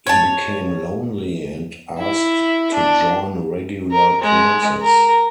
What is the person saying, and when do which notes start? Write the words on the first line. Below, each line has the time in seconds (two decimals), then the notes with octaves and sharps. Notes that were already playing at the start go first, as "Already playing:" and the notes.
He became lonely and asked to join regular classes.
0.07 C#5 A5
1.99 E4
2.74 D4
3.91 A#4
4.21 G#3
4.82 A#4